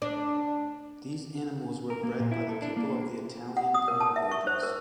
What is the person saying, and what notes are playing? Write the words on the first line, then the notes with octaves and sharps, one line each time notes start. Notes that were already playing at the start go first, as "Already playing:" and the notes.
These animals were bred by the people of the Italian pile villages.
D4
A#4
A#3
A#2
E4
A4
D4
A#3
F#5
D#6
A#4
A5
E5
C#6
C5
A#4